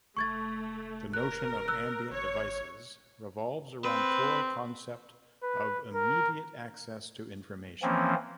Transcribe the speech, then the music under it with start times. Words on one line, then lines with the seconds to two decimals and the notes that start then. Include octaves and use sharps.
The notion of ambient devices revolves around core concept of immediate access to information.
0.17 F1 A3 C#6 G#6 A6
1.13 A#4 F#6
1.68 E6 F#6
2.11 G#1 C#5
3.84 C4 B4
5.43 B4
5.94 A#4
7.82 E3 F3 A#3 C4 C#4